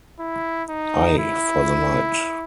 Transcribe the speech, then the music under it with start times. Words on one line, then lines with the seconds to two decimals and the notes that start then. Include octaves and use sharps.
Ay, for the night.
0.19 E4
0.69 D#4
1.18 E4